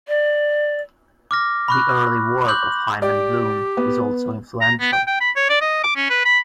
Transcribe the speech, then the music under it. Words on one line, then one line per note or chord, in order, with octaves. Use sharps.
The early work of Hyman Bloom was also influential.
D5
D6 F6 A#6
B5 C#6 F#6
C6 D6 F#6 G6 F#7
G4 D5
B3
A#5
B3
G5
G5
B5
C#5
D5
D#5
D6
C#4
B4
B5